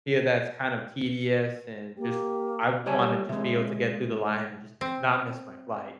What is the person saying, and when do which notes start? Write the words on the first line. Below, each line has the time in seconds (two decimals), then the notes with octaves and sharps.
yeah, that's kind of tedious and just I wanna just be able to get through the line and just not miss my flight.
1.98 A#3 G4
2.86 B1 G3 C#5 D5 G#5 A5
3.29 C3 G#3
4.81 C4